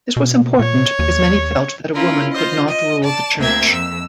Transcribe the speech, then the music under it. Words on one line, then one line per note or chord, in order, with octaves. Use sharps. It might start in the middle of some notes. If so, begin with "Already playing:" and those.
This was important because many felt that a woman could not rule the church.
B2
A#2 C#5
D#2
C#4 E4 F4 A#4
F4 C5 D#5
D#5
D5 A5
D2 A#3 C4 E5 G#6
F2 E6